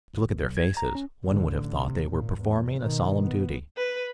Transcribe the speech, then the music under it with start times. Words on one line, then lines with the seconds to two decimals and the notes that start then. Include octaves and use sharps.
To look at their faces one would have thought they were performing a solemn duty.
0.14 G1
0.29 G#1
0.43 B1
0.57 G#6
0.77 A#5
0.95 C#4
1.24 A1 D3
1.74 C3
2.05 G#1 A#2
2.41 E2
2.79 B2 D#3
3.21 B3
3.77 B4